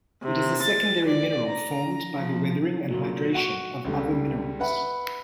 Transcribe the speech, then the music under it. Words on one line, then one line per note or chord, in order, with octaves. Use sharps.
It is a secondary mineral formed by the weathering and hydration of other minerals.
C3
A6
D5
A#5
F3
A#2 F#3
F#4 F#5 C#6
C#2 D3 G3
B4 E5 F#5 B5